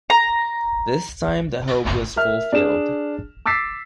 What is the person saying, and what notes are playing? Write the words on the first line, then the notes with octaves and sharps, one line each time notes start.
This time the hope was fulfilled.
A#5
A#4 E5 F6
D4 G#4 E7
D6 E6 A6 B6 C7